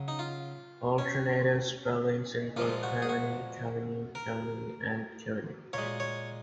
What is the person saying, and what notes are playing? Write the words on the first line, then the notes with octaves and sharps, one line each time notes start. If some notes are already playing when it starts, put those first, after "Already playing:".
Alternative spellings include Keaveny, Keveney, Keavney, and Kiveney.
Already playing: C#3 F#3
D#4
F4
C#4
A#2 F3 G#3 F4
F#4
G#4
F#4
A#4
A#2 G#3 C#5
C#5